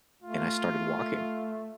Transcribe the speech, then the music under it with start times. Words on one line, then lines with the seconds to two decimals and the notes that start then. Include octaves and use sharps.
and I started walking.
0.22 A3 F4